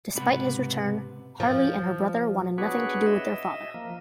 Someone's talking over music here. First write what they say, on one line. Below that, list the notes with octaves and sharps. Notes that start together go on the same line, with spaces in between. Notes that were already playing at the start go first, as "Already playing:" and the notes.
Despite his return, Harley and her brother wanted nothing to do with their father.
C#2 G#2 C3 B3 B4
F3
B3 D4 F#4 G#4 B4 C#5
D#5 E5
F3 A#3